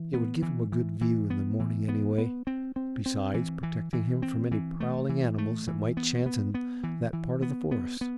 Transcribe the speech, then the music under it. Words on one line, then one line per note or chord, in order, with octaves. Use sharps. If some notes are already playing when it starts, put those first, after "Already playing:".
It would give him a good view in the morning anyway, besides protecting him from any prowling animals that might chance in that part of the forest.
Already playing: E3
B3
E3
E3
E3
B3
E3
B3
B3
C4
C4
C4
E3
E3
E3
C4
E3
A3
E3
A3
E3
B3
B3
B3
E3
E3
B3
B3
B3